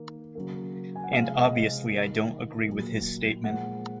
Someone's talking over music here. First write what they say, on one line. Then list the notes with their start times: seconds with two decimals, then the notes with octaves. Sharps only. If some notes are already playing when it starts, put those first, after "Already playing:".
And obviously I don't agree with his statement.
Already playing: D#3 A#3
0.35 C#3 F#3 A#3
0.96 G#5
1.03 F#5
1.12 C3 F3 G#3 F5
1.38 D#5
1.90 D#3 A#3
2.67 A#2 F#3 A#3
3.44 A#2 F3 G#3 F#5